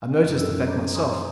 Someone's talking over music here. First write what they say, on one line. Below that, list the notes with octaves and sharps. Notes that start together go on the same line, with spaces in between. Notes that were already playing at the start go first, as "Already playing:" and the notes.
'I noticed the fact myself.'
F#2 F#3 B4
F#2 F#3 C#4 A4 E6
A#5 B5 D6 G6
G#5 A#5 C6 C#6 D#6